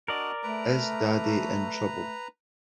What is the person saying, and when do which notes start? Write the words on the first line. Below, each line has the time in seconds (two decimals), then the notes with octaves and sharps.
Is Daddy in trouble?
0.08 D4 F#4 A#4 D5 D#5
0.43 A3 B4 A#5